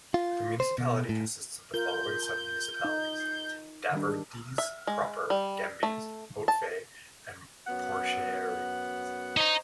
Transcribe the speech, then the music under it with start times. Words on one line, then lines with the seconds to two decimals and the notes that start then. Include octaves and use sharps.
The municipality consists of the following sub-municipalities: Daverdisse proper, Gembes, Haut-Fays, and Porcheresse.
0.14 F4
0.60 C5
0.78 B2
1.09 A2
1.74 F4 A#4 G6
2.84 D#4
3.92 D#3 G3 D4
4.58 E5
4.87 G#3
5.30 G3
5.83 A3
6.48 A5
7.67 F#2 B3 F#5
9.37 D#4 C5 C#5 D#5 A#5